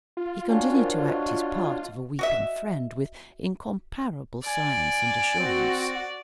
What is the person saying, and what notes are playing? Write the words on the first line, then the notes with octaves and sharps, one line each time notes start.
He continued to act his part of a weeping friend with incomparable science and assurance.
F4
D4 F#4 C#5 F5 G5 G#5
A#4 C5
D#5 C#6
F#4 D#5 E5
D5 G#5
C4 F#4